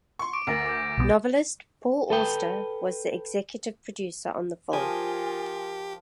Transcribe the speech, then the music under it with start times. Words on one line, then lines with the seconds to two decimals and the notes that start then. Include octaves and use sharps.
Novelist Paul Auster was the Executive Producer on the film.
0.19 C6 C#6
0.33 D6 D7
0.47 D2 A#4 A6 A#6 D7
0.66 D6 G6
0.98 B1 E3 B3
2.10 A4 B4 G5
4.73 F3 F4 G4 A#4 G#5